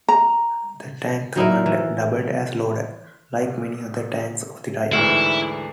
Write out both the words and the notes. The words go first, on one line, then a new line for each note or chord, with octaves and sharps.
The tank commander doubled as loader, like many other tanks of the time.
A#5
F#3 D#4 E4 A#4
E3
D2 G#2 E3 E4